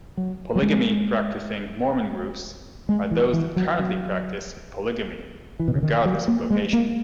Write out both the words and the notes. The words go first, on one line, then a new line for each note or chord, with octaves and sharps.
Polygamy-Practicing Mormon groups are those that currently practice polygamy, regardless of location.
F#3
F#3
G#3
G#3
E3
E3
F#3
F#3
E3
B2
C#3
D#3
F#3
A#3
G#3
A#3